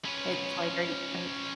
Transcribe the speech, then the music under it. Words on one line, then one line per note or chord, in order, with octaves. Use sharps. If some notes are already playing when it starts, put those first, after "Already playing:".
It's like, "Are are
C#4 B4